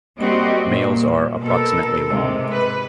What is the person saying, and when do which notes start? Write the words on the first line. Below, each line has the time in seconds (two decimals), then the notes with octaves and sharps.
Males are approximately long.
0.18 G3 A#3 C4 F#4 G4 D#5
0.67 A#2
1.42 B2 A4 A#4
2.09 G#2 C3 G#3
2.51 B4